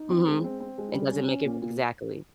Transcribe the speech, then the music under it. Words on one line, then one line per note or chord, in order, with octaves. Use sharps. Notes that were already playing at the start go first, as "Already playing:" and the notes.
Mhm. It doesn't make it Exactly.
Already playing: D#4
C4
G#3
C4
C4
G#3
G3
C#4
C#4
A#2
A#2